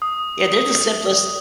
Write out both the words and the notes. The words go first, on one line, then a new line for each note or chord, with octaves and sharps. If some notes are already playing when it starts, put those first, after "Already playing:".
Yeah, there's the simplest
D#6